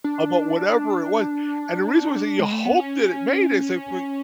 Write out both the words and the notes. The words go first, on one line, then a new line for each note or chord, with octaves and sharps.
About whatever it was, and the reason was that you hope that it made it, so for
D4
G#3
A3
B3
C#4